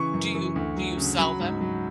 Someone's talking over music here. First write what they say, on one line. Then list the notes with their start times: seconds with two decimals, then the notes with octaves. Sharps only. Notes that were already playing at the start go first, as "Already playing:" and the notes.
W do you do you sell them?
Already playing: C#3 E3 C#6
0.13 F#2
0.35 E3
0.56 D2
0.76 F#3
0.97 C#3
1.19 F#3 B5
1.40 G#2
1.61 F#3